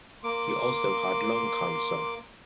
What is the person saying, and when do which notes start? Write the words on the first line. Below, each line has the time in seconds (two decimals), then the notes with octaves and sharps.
He also had lung cancer.
0.24 A#3 C6 D6